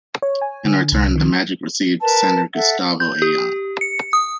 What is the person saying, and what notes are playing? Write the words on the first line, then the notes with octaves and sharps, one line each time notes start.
In return the Magic received center Gustavo Ayon.
C#5
G#5
D3
C2
D#3
A#4 B4 A5
A4 E5 F#5
G6
G4
C#7
D#6